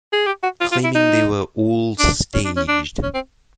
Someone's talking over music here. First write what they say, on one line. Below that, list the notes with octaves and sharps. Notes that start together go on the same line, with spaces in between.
Claiming they were all staged.
G#4
G4
F#4
F4
F4
E4
D#4
D4
C#4
D4
C#4
D4
C#4
C4